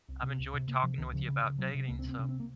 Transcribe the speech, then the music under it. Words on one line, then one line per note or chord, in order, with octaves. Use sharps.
I've enjoyed talking with you about dating, so
C2
C3
C#2
C3
C3 A#3
C3 F3
C#2 D#3
C#3 F3
C#3
C#3
C3 F#3
C3
C#2 A#3
C4
C3
C4
C3 C#4
C4
A#3